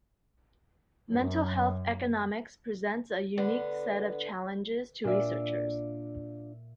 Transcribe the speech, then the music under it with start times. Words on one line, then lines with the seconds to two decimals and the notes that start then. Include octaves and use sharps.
Mental health economics presents a unique set of challenges to researchers.
1.11 F#2
3.38 D3 B3
5.04 A#2 D4 F4 D5 E5